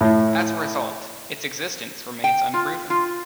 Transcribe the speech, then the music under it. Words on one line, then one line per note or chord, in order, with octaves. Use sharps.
As a result, its existence remains unproven.
A2
G5
F4
F4